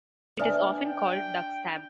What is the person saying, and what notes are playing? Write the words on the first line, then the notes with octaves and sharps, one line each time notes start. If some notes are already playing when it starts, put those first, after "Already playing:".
It is often called Duck Stab!
D4 B4 E5 G#5
G5